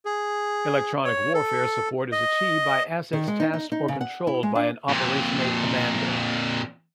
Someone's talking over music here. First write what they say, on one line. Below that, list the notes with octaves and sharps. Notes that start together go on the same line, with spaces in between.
Electronic warfare support is achieved by assets tasked or controlled by an operational commander.
G#4
C#5
A4
D#5
D#3
G#3
D#4
D#4
D#4
C#3
F#5
E4
G#3
D4
F2 A#2